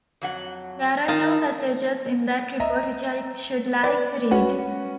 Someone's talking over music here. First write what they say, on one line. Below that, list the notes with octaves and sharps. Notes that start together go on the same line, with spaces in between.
There are two passages in that report which I should like to read.
F2 F#3 F#5
D#3 D#4 F4 F5 A5
D#5 E5 A#5
B4 D5
C#4 F#4 B4 F#5